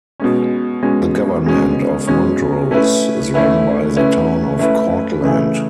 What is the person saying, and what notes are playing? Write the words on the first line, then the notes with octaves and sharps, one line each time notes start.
The government of Montrose is run by the Town of Cortlandt.
B2 G#3 C#4
B2 G#3 C#4
B2 G#3 C#4
B2 G#3 C#4
A3 C#4 E4 B4
A3 C#4 E4 B4
A3 C#4 E4 B4
A3 C#4 E4 B4
C#3 E3 A3 E4 G#4